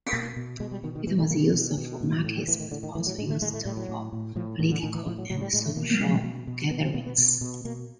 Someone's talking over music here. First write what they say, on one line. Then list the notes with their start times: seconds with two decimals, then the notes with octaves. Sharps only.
It was used for markets, but also used for political and social gatherings.
0.13 B2 A#3
0.37 B2
0.60 B2 G#3
0.71 G3
0.83 B2 D#3
0.95 D#3
1.07 B2 E3
1.19 A3
1.30 B2 A#3
1.54 B2
1.78 B2
2.01 A2
2.25 A2
2.48 A2 E3
2.60 D#3
2.71 A2 D3
2.83 D#3
2.95 A2 E3
3.07 F#3
3.18 A2 G#3
3.30 A3
3.42 A2 G#3
3.54 A3
3.65 A2 G3
3.77 F#3
3.89 A2
4.13 A2
4.36 A2 F3
4.59 A2 D#3
4.71 D3
4.83 A2 D#3
4.95 E3
5.07 A2 F3
5.18 F#3
5.30 A2 F#3
5.41 G3
5.53 A2 G#3
5.66 A3
5.76 B2 A#3
6.00 B2
6.24 B2
6.47 B2
6.71 B2 B3
6.83 C4
6.94 B2 B3
7.06 B3
7.18 B2
7.41 B2
7.65 B2 A#3